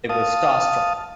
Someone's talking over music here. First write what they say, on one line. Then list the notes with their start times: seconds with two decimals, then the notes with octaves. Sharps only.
I was star-struck.
0.09 F5 A5 D#6